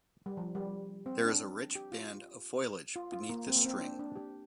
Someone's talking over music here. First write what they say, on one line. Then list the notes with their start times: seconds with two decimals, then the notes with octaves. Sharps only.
There is a rich band of foliage beneath the string.
0.26 G3
0.37 F3
0.55 G3
1.06 C4
1.24 D4
1.75 G4
1.92 F4
2.96 F4
3.12 F4
3.29 A#3
3.47 C4
3.56 A#3
3.65 C4
3.81 D4
3.99 D4
4.16 G4